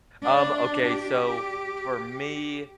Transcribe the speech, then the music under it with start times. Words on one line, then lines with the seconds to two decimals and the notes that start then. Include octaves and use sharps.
Um, okay, so, for me,
0.22 D4
0.86 G4